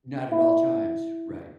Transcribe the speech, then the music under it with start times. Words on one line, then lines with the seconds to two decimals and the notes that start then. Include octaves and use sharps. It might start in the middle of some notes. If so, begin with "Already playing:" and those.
Not at all times, right.
0.32 E4